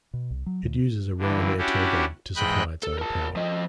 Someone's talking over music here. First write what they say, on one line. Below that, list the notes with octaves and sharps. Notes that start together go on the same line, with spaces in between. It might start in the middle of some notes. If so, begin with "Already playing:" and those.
It uses a ram air turbine to supply its own power.
B2
C2
F#3
D2
G2 D3 E3
C#4 D4 E4 F#4 G4
E2 G#2 D#5 G5 B5 F#6
A4
A#4 A5
F3 D#5